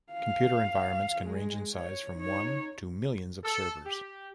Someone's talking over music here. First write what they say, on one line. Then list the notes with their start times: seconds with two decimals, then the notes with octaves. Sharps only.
Computer environments can range in size from one to millions of servers.
0.13 F5
1.23 G#3
1.74 C#5
2.17 D#4 C#5
3.44 A4
3.85 G4